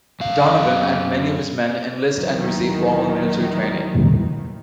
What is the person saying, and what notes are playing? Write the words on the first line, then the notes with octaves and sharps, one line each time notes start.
Donovan and many of his men enlist and receive formal military training.
F#2 F5
D#2 D#3 E3 F#3